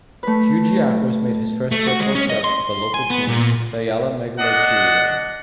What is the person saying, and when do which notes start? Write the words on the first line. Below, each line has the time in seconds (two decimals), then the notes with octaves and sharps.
Kyrgiakos made his first football steps with a local team, Thyella Megalochoriou.
0.23 A3 B4
1.72 A3
1.87 F#4
2.00 G#3
2.15 C#4
2.30 D#5
2.44 C6
2.94 G#5
3.10 B3
3.28 A#2
4.39 D4 D#5 F#5